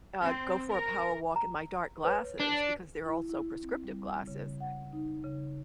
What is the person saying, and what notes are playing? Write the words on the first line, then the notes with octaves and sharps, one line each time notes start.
uh, go for a power walk in my dark glasses, because they're also prescriptive glasses,
C4
A#4
A#5
B4 C#5
D4
E4
E4
C4
G3
C#3
F#5
D#4
C#3